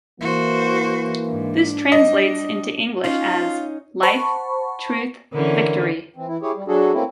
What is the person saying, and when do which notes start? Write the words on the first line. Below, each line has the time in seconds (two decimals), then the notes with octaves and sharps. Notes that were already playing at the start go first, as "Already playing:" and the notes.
This translates into English as, "Life, Truth, Victory".
0.21 E3 A#3 F#4 C5
1.29 G#2 D4
1.92 G3 D#5
3.04 C#4 D#4 F4
4.03 C5 F#5 A5 B5 C#6
5.33 D3 E3 C#4 A#4
6.16 E3 C4
6.28 E3 E4
6.42 E4 G4 G#4 C#5
6.56 G3
6.68 F#3 D4 F#4 G#4 A4
6.93 A3 A#3 C4 C#4 E4